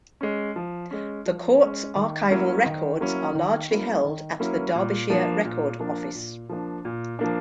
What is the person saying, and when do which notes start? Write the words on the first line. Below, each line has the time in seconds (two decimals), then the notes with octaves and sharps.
The Courts' archival records are largely held at the Derbyshire Record Office.
0.21 G#3 C#4
0.56 F3
0.91 G#3 C#4
1.26 F3
1.61 G#3 C#4
1.96 D#3
2.30 F#3 A#3 C#4 E4
2.66 D#3
3.00 F#3 A#3 C#4 E4
3.35 D#3
3.71 F#3 A#3 C#4 E4
4.04 D#3
4.40 F#3 A#3 C#4 E4
4.75 A#2
5.10 F3 A#3 D4
5.45 A#2
5.80 F3 A#3 D4
6.15 A#2
6.49 F3 A#3 D4
6.85 A#2
7.19 F3 A#3 D4